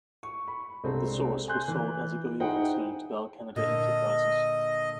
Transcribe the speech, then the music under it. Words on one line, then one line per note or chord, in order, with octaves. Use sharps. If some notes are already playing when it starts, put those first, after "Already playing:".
"The Source" was sold as a going concern to Bell Canada Enterprises.
C#6
B5
C2 G#3 C4 D4 A4
G#5 C6 F#6 G6
E3
D#4 E4 G#4 C5 F#5 G5
A#2 D3 D#5